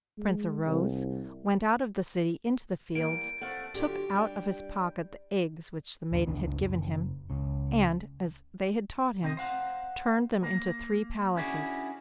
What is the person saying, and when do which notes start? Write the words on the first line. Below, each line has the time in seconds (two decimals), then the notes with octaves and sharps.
The Prince arose, went out of the city into the fields, took out of his pocket the eggs which the maidens had given him, and, as they had taught him, turned them into three palaces.
0.18 G#3
0.66 C2
2.95 E3 G3 A#3 D7
3.41 A3 C4 F5 F#5
3.75 D3 F#3 F4 G4
4.15 G3 D4
6.12 A#1 D#2 D3
6.26 F#1 C#2 B3 D4
6.61 F#1
7.30 C#2 C#3
9.22 C2 C4 D#5
9.37 C5 F5 F#5
10.42 A#3
11.36 C#4 D4 E4 F#4 G#4